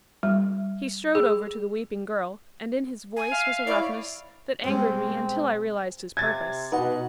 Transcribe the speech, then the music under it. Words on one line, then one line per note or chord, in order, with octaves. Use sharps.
He strode over to the weeping girl, and in his voice was a roughness that angered me until I realized his purpose.
G3
G#4
G#5
E5 F5
E4 C#5 D5
B2 G3 G#3 C4
C3 G#6 A6
B2 D#4 B4 F#5